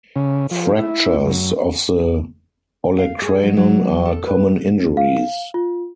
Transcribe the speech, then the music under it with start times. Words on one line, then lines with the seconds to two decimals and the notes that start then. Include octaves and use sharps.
Fractures of the olecranon are common injuries.
0.16 C#3
0.51 F3
0.78 E4
1.25 F#2
2.99 F5
3.22 G#4
3.43 F#3
3.57 F#3
4.05 A4
4.27 B4
4.97 F5
5.54 F4